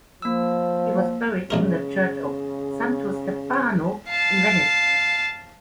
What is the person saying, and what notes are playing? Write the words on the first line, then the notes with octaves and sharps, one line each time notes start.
He was buried in the church of Santo Stefano in Venice.
F3 A#3 E6
A#1 C#3 G#3 A#4
F5 A5